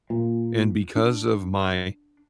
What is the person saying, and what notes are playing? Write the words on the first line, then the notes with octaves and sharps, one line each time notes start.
and because of my
A#2
D4